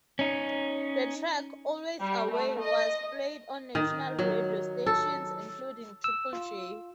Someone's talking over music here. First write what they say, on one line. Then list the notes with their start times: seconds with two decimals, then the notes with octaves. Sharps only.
The track, "Always Away", was played on national radio stations including Triple J.
0.19 C#4 D#4
2.00 G3
2.32 A3
2.61 D#5
3.75 D#3
4.19 F#3
4.86 A4
6.04 E6
6.33 F4